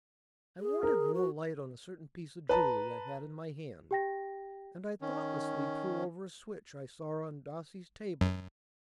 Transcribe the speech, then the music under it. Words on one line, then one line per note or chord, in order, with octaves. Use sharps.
I wanted more light on a certain piece of jewelry I had in my hand, and I thoughtlessly threw over a switch I saw on Darcy's table.
G#4
A#4
F#4
B4 A5 A#5
G4 G5 A#6
D#3 C#4
F#2